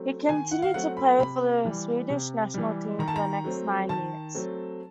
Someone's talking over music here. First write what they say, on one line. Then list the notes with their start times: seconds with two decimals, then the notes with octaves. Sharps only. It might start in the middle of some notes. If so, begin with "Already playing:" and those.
He continued to play for the Swedish national team for the next nine years.
Already playing: F#3 A3 C4
0.29 D#3 G#5
0.51 F#5
0.62 F5
0.74 F#3 A3 C4 F#5
0.97 B5
1.19 C3 B5
1.65 E3 G3
2.10 C3
2.54 E3 G3
2.99 D#3 A#5
3.08 A5
3.16 A#5
3.44 F#3 A3 C4
3.89 D#3 A5
4.35 F#3 A3 C4